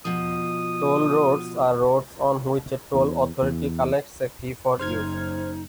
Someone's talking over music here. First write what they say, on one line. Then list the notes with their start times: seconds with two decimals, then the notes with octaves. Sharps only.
Toll roads are roads on which a toll authority collects a fee for use.
0.05 B2 F3 D#6
2.94 E2
3.43 E2
4.79 F#1 D#4 C5 F6 G#6